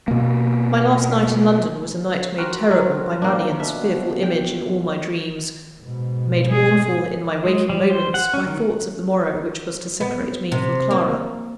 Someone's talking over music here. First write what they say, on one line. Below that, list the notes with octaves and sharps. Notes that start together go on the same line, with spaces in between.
My last night in London was a night made terrible by Mannion's fearful image in all my dreams--made mournful, in my waking moments, by thoughts of the morrow which was to separate me from Clara.
B2 A#3
C4 F#4 A#4
F#3
A#3 D4
B2 E5
G5
G#2 B2
G#4
G#3
G3
C5
F#5
C#4
D#3
B3
C3
A#3